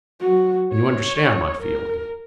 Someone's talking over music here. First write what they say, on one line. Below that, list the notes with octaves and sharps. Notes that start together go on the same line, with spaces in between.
"And you understand my feeling?"
F#3 F#4
C#5
A#4